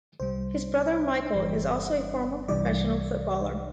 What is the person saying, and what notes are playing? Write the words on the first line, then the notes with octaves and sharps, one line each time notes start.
His brother Michael is also a former professional footballer.
C2 C3 G3 C5
G1 G2 E3 G3
C2 C3 E3 G3 D5